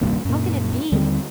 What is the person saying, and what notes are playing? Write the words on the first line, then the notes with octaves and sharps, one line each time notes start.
How can it be?
D#1 C2 G2 A#3
F#2 A#2
D#2 D3 G3 C4